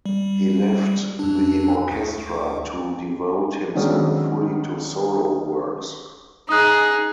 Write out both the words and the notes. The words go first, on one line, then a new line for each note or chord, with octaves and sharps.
He left the Orchestra to devote himself fully to solo works.
G3
F2 D4
D2
D#3 F#3 G#3 B3 C#4 D4
D#4 G#4 D#6 F#6